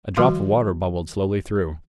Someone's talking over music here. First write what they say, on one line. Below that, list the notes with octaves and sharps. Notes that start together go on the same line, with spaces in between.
A drop of water bubbled slowly through.
D#3 F3 G3 F#4 F5 C6